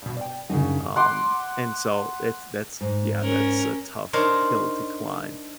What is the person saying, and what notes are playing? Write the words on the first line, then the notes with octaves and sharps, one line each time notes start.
Um, and so, it's that's yeah, that's a tough hill to climb,
G2 B2
D5 G5
F#2 C#3 D4 D#4
F#5 C6 D6
G#2
C#4 A#4
D4 D#4 A#4 C5 C#5